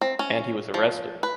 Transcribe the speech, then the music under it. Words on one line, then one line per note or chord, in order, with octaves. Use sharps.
And he was arrested.
C4
C#4
F3
B4